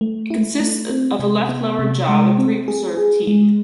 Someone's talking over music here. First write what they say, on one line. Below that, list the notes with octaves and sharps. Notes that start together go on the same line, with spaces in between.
It consists of a left lower jaw with three preserved teeth.
A3
E4
A3
C4
C3
B3
C3
G#3
C4
G#4
G#4
G#3